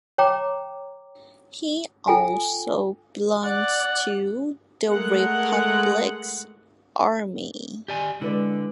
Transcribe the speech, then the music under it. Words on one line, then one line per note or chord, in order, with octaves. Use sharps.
He also belongs to the Republics army.
C#5 G5 A#5 D6
F4 A4 G5 G#5
D5 F#5
G#3 A3 A#4 F#5
G4 D5 G#5
D3 G#3 E4 B4 D5